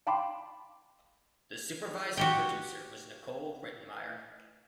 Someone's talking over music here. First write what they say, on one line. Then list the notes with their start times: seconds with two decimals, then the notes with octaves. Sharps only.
The supervising producer was Nicole Rittenmeyer.
0.07 F5 G5 A5 B5 C6 D6
2.17 F#4 G4 G5